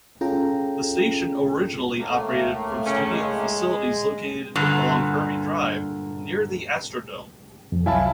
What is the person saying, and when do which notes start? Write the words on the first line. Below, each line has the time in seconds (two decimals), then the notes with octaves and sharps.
The station originally operated from studio facilities located along Kirby Drive, near the Astrodome.
0.21 C#4 F4 G#4 A4 G5 A#5
1.98 A2 A3 A#3
2.86 C#3 C#4
3.12 G#3
4.56 G2 A#2 D3
7.72 F2
7.86 C2 F#3 E4 E5 F5 G#5 A5 B5